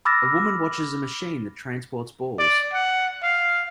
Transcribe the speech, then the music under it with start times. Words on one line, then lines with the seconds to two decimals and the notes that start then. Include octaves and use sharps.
A woman watches a machine that transports balls.
0.05 B5 D6 E6 F6 A6 A#6
2.39 D5
2.74 F#5
3.23 F5